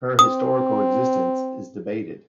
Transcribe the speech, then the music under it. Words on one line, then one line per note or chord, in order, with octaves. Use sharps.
Her historical existence is debated.
C4 D#6